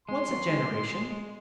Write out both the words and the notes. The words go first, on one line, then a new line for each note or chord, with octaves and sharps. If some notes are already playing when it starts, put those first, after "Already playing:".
"What's a generation?"
G#3 C6
F#3
G#3
G#3
G#3
G#3